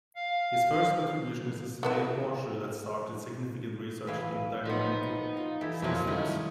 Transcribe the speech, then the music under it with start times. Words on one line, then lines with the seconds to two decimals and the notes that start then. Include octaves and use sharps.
His first contribution is the Smale horseshoe that started significant research in dynamical systems.
0.16 F5
1.83 A3 B3 E4
4.07 B1 E3 B4 F5
4.66 F3 B3 D#4
5.37 F4
5.61 E3 A3 E4 G4
5.82 F2 A#2 D3 A#4 C5 C#5 E5
6.07 D#3 F#3 A3 C#4 E4 D#5